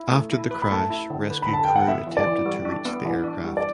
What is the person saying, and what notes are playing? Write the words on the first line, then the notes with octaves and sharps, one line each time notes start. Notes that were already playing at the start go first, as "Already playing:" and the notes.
After the crash rescue crew attempted to reach the aircraft.
Already playing: E4
A3
E4
B4
B5
A3 A5
E4
D3
B4
B5
D3 A5
B4 G5
F#5
B3 E5
E3
D5
E3
G3
D4
B3
E3
D4
G3
D5